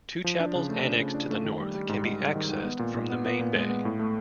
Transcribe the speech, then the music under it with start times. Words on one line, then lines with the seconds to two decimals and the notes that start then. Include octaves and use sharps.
Two chapels annexed to the north can be accessed from the main bay.
0.24 F3
0.40 D4
0.55 C#3
0.70 A3
0.84 D4
1.00 C#3
1.14 D4
1.30 A3
1.44 D#3
1.60 G3
1.74 G3
1.89 G#2
2.04 G#2
2.20 G3
2.35 D#3
2.49 D#3
2.65 B3
2.79 A#2
2.95 A#2
3.10 B3
3.25 B3
3.39 A#2
3.55 G#3
3.70 B3
3.85 A2
3.99 A3